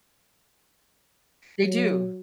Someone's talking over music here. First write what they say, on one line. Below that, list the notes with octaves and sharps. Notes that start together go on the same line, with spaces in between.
They do.
F#3